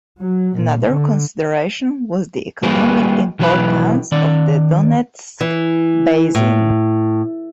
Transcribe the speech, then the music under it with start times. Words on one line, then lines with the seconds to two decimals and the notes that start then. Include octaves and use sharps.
Another consideration was the economic importance of the Donetsk basin.
0.20 F#3
0.57 A#2
0.87 D3
2.63 G3 A#3 F#4 G#4 A#4 B4
3.39 B1 E3 F#3 G#4 B4 B5
4.12 D#3 D5
5.41 E3
6.35 A2